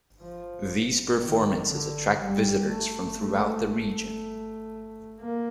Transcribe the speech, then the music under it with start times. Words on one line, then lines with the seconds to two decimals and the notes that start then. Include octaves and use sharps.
These performances attract visitors from throughout the region.
0.20 F3
1.20 D#3
1.70 D3
2.20 G3
2.70 A3
3.20 A3
3.71 A3
5.20 A#3